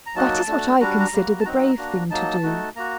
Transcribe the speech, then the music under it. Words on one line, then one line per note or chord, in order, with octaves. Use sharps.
That is what I consider the brave thing to do.
A#5
F#3 A#3 D#4 F#4 A5
A3 D4 F#4
G3 D4 F#4 A#5
A#5
G3 A#3 F#4
A5
F#3 C4 D#4 F#4 A#5
A#3 D4 F#4
F#3 A#3 D#4 A5
A3 D#4 F#4
A#3 F#4 A#5